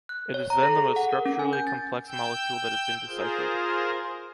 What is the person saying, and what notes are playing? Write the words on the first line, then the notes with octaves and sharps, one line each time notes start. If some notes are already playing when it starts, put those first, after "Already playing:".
It is then the most structurally complex molecule that has been deciphered.
F#6
C#5
A#5
A4
G#4
F#5
A#4
C#4
G#5
G6
A6
G5 E6 G6
F4 G#4 A#4 C5